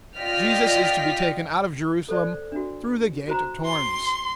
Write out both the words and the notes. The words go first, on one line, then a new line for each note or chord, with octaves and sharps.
Jesus is to be taken out of Jerusalem through the gate of Tournes.
F4 D5 D#5 G5 F6 B6
A4 C5 D5
D4 F#4
F#4 C5 A#5
C6